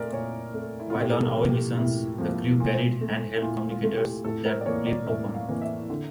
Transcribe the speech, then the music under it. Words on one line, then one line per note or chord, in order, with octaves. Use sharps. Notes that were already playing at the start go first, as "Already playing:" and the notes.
While on away missions, the crew carried hand-held communicators that flip open.
Already playing: A#2 A3 A#4 D5 E5
A#2 C#5
A3
E4
A2 F4
G4
A4
A#4
F3 A#3
G4
A2 E4
F3 A#3
A#2
A3
E4
A#2 F4
F4
A3
G4
A2 A4
A#4
D5
E3 A#3 C#5
D5
A2 E5
F5
E3 A#3
E5
D3